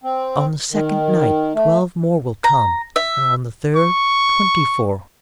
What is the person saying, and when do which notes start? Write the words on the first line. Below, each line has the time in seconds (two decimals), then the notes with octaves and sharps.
On the second night twelve more will come, and on the third twenty-four.
0.04 C4
0.72 D#3
1.55 A3
2.44 A#5
2.96 E5
3.76 C#6